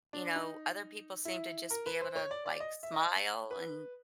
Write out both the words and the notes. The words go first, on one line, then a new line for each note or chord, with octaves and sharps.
You know, other people seem to just be able to, like, smile and
D4
D#4
E4
A#4
B4
C5
C#5
D5
D5
D#5
E5
D#5
B4